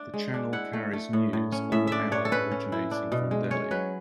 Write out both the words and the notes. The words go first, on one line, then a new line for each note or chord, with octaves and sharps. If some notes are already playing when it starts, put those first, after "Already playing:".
The Channel carries news on the hour originating from Delhi.
Already playing: D4 E5
G#3
D4
E4 F#5
A3
A3
A2
A2
C#4
A2 E5
D4 D5 E5
D4 C#5
A4
C#4 B4
C#4
E4
D4
B2
G#3
C#4 C#5
F#3 B4